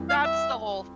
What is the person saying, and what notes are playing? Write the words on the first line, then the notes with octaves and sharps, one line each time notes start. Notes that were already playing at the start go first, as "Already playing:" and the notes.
that's the whole th
Already playing: F2 E3 G3
F5
E5